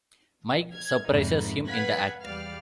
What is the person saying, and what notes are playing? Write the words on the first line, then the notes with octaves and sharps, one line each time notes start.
Mike surprises him in the act.
F6 G#6
F2 G#2 C3 D#4 E4
B4 F5 F#5 F#6 G#6 B6
E2 G3 D5 F5 F6